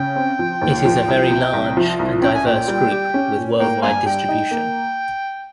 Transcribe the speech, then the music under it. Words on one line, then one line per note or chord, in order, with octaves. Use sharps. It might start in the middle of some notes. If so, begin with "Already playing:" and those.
It is a very large and diverse group with worldwide distribution.
Already playing: C#3 G5
C4
F3
D#2
F3
C2
C3
C2
F3
C2
C#4 G5
G#5
A#2 G5
G3
G4
C#4
A#2
A#3 G5
G2 C5 F5 G#5
G3 G5
D#4
A#3